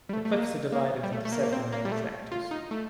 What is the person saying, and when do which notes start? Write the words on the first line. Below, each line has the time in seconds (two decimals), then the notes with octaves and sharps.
The cliffs are divided into several main sectors.
0.09 G3
0.13 A3
0.25 A3
0.33 A#3
0.72 A#3
1.03 G3
1.13 A3
1.25 A3
1.32 A#3
1.43 A#3
1.52 C4
1.72 A#3
1.85 G3
1.92 A3
2.32 F4
2.51 D#4
2.71 A3